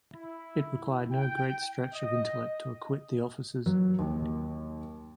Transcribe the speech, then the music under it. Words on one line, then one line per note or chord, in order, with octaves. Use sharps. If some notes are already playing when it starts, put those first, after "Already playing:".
It required no great stretch of intellect to acquit the officers.
E4
G5
D#5
F#3
D#2